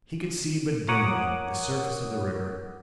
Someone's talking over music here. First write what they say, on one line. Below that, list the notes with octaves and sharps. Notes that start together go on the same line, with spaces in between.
He could see but dimly the surface of the river.
A#4 C#5 F#5 D6 D#6